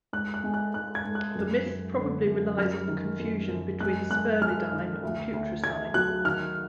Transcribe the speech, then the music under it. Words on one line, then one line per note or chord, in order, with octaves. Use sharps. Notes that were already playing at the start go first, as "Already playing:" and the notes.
The myth probably relies on the confusion between spermidine and putrescine.
G#2 F#6
F#6
G#3
F#6
G#2 F#6
G#6
G#2
F#6
F#2
F#2
D3
F#2
F#2 F6
D#3
F#2
F#2
G#3 F#6
G#3 F#6
G#3 F6
D#3
D2
D2
D2 G#6
F#3 F#6
D#3 F6